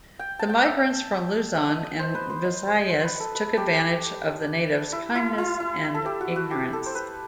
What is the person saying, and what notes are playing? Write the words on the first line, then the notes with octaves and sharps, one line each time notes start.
The migrants from Luzon and Visayas took advantage of the natives' kindness and ignorance.
G5
A5
G5
E5
E5
D#5
D#5
C5
B4
C5
D#5
C5
C5
B4
A4
B4
G4
E4
E4
E4
E4
A4
G4
F#4
F#4
G4
A4
C5
B4